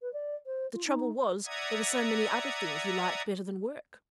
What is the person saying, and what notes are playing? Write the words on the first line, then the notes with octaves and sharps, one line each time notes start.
"The trouble was, there were so many other things he liked better than work."
B4
D5
C5
F4
D#4
D5 E5 F#5 A#5 D#6 G#6